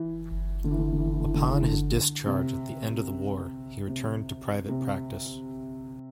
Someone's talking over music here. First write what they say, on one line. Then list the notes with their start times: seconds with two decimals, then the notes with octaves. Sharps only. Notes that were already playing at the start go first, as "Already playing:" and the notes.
Upon his discharge at the end of the war, he returned to private practice.
Already playing: E3
0.64 D3
0.71 E3
0.78 D3
0.84 E3
0.92 D3
0.98 E3
1.05 D3
1.13 E3
1.20 D3
1.28 E3
1.34 D3
1.41 E3
1.48 D3
1.55 E3
1.62 D3
2.26 C3
3.88 C3
4.69 C3